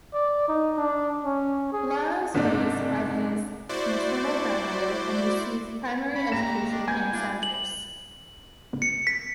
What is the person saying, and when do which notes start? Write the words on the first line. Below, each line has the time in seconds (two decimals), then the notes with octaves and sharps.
Lara was raised by his maternal grandmother and received primary education in Santurce.
0.13 D5
0.48 D#4
0.77 D4
1.24 C#4
1.73 G#4
2.34 F#1 G#2 C3 D4
3.69 E4 F#4 C5 D5
6.15 C#4 B5
6.32 A#3 G4 A#5 E7
6.71 D4
6.88 A#3 B3 G5 G#5 G#6
7.13 D4 E4 F4
7.43 F#7
8.82 C#7
9.07 B6